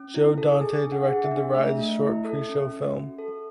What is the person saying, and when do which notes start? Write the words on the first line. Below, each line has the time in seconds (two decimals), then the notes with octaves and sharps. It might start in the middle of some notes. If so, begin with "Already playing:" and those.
Joe Dante directed the ride's short preshow film.
Already playing: C#4
0.14 E4
0.38 A4
0.61 G#4 G#5
0.85 D4
0.92 F#5
1.08 G#4
1.24 E5
1.31 D4
1.55 A3 E5
1.79 A3
2.02 E4
2.24 A4
2.49 C#4
2.72 C#4
2.95 F#4
3.19 A4